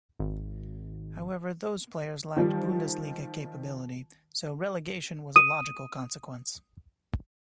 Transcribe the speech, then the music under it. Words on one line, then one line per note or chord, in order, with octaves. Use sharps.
However, those players lacked Bundesliga capability, so relegation was a logical consequence.
G#1
D#3 F3 G3
D#6 D#7